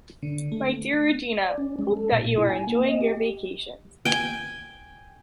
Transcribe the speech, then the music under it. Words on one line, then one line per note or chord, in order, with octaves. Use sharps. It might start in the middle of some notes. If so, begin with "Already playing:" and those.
My dear Regina, hope that you are enjoying your vacations.
D3
A3
D5
C#4
G#3
A4
A#2
E4
G#5
A#3
D#5
G4
G5 G#5